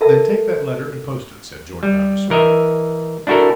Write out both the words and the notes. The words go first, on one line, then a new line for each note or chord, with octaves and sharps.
"Then take that letter and post it," said George Vavasor.
A4 A#4 E5 A5
G3
E3 A#4 D#5 E5
D4 E4 F#4 A4 A#4